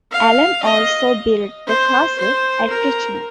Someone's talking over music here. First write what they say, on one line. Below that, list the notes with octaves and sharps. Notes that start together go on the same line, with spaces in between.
Alan also built the castle at Richmond.
F5
D#5
C5
C5
A#4